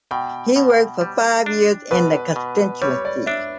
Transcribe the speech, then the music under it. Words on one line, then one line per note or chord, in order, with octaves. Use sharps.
He worked for five years in the constituency.
B2 G5
B2
G3
D4
B2 B4
B2
G3 C#5
D5
D4 E5